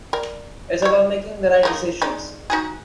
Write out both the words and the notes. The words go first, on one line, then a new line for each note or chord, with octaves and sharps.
It's about making the right decisions.
A#4 D5
E4 C#5
G#3 A#3 D#4
G#3 D#4 D5
D#4 F#4 G#4